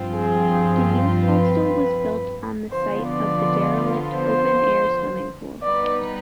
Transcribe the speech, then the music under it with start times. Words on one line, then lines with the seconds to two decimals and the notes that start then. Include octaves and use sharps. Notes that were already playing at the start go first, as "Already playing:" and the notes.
The Youth Hostel was built on the site of the derelict open-air swimming pool.
Already playing: G2 F3 C4 F4
0.16 G#4
1.25 B4
2.71 D3 F3 B3 F4 C5
3.07 D5
4.17 C5
5.63 G3 B3 D#4 B4 D5